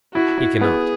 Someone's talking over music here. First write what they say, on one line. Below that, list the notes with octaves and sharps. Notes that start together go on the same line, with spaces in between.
He cannot.
E4 F#4
E4
B3 G#4